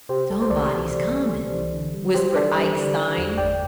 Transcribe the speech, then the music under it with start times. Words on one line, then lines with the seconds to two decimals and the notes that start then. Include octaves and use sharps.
"Somebody's comin'!" whispered Ike Stein.
0.09 C3 G4 C5
0.30 C2 A4
0.42 C5
0.50 C2 A4 D5
0.72 E3
0.91 C3
1.13 G3
1.33 C2
1.53 E3
1.74 D3
1.94 G3
2.14 G3 G4 C5
2.35 D4 A4 D5
2.55 G3
2.77 D3
2.97 D4
3.18 E2
3.37 G1 D5 G5